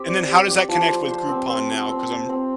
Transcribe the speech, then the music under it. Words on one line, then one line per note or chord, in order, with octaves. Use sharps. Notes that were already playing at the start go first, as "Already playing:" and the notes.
and then how does that connect with Groupon now, 'cause I'm
Already playing: C4 G4
D5
G4
G4
F3
C5
C5
C4
C4
C5
C4
C5
C4